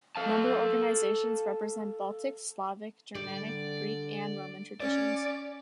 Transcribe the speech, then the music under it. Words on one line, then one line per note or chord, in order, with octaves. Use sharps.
Member organizations represent Baltic, Slavic, Germanic, Greek and Roman traditions.
A4 F5 A5
D3 G3 D5
C#4 D5